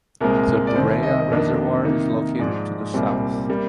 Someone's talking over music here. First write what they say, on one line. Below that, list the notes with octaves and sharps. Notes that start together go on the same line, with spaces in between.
The Bureya reservoir is located to the south.
C2 A#2 G#3 C4 A#4
D5
C2 C3 D#3 C5
D#5
F2 C3 D#3 A#3 D4
C3 D#3 A#3 D#4
G#2 F3 G#3 D5
C2 A#2 G3 C4
C3 G3 A#3